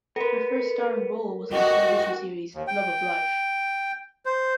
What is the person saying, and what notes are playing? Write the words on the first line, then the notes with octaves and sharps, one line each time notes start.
Her first starring role was on the television series "Love of Life".
B3 A4 A#4
E2 F#4 G4 D#5
D#2
G5
C5